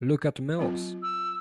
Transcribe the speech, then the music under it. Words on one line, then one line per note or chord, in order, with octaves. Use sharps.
Look at Mills!
F#3 C4 F4
E6